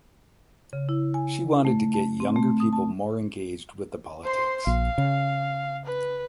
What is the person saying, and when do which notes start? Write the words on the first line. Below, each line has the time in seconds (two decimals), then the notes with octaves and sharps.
She wanted to get younger people more engaged with the politics.
0.73 C#3
0.89 E4
1.14 G#5
1.65 A3
1.94 A5
2.20 C4
2.36 A3
2.60 D#6
2.73 A5
4.24 C5 C6
4.67 A#1 F5
4.98 C#3
5.86 B4